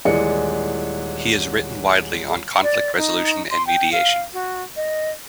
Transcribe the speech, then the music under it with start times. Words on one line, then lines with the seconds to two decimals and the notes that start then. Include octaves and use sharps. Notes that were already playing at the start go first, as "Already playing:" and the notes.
He has written widely on conflict resolution and mediation.
0.05 D#1 E3 G#3 D5 C#7
2.63 D5
2.97 D#4
3.50 C6
3.67 G5
3.92 F5
4.33 F#4
4.76 D#5